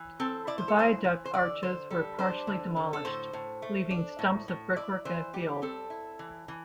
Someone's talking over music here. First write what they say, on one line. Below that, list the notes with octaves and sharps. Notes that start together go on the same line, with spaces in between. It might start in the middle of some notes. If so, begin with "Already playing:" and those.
The viaduct arches were partially demolished, leaving stumps of brickwork in a field.
Already playing: E3
C4 A4
E4 D5
C5
A4
E3 C5
E3
C5
D3 D5
D3 C5
G3 A4
D4 C5
D3
D3
A4
A2 C5
A2
A3
D4
A2
A2
E4 D5
E3 C5
G3 G4
C4 A4
E4
E3
E3